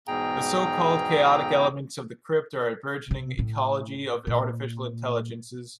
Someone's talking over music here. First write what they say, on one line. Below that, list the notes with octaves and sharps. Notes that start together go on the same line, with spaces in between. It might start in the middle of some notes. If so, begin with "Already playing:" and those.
The so-called chaotic elements of the crypt are a burgeoning ecology of Artificial Intelligences.
E2 G#2 B2 G#4 G5 A#5
C3
A2
A#2